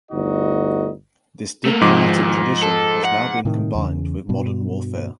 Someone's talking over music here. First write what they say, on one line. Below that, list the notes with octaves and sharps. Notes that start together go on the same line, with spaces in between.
This diplomatic tradition has now been combined with modern warfare.
G1 D2 D3 D#4 F#4 D#5
A3 A#3
E2 G#2 D#3 F3 D6
A4
F#5
A2 C3 D#3
E2 C#3
G2 B2